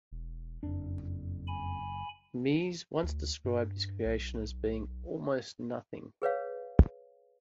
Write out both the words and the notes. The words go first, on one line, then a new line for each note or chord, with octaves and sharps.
Mies once described his creation as being almost nothing.
E1
F#1 F2 D4
G#5 B5
D2
G2
B1
G#4 B4 C#5 F5